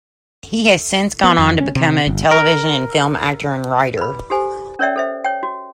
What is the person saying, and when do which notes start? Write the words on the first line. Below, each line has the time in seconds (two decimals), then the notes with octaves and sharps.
He has since gone on to become a television and film actor and writer.
1.24 B3
1.39 F2
1.60 C#4
1.75 C3
2.07 G1
2.31 A#4
3.97 B4 B5
4.30 G4 A4 C5 G#5
4.79 C#4 A#4 C#5 D5 E5 G5
4.96 A4 C5 E5
5.24 C#5 G5
5.43 F#4